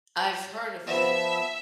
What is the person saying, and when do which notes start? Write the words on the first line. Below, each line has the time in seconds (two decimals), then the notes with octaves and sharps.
I've heard of it.
0.87 F3 B3 E5